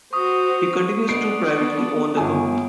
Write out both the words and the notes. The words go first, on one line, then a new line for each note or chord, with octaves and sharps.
He continues to privately own the company.
F#4 C5 C#6 D#6
B3 D4 C7 D7
G1 G#5